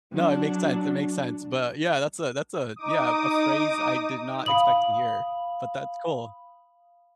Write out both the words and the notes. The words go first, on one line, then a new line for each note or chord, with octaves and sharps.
No it makes sense, it makes sense, but, yeah, that's a that's a Yeah, a phrase I did not expect to hear, but that's cool.
F#3 D4
D#4 D6 D#6
F5 B5 D#6 F#7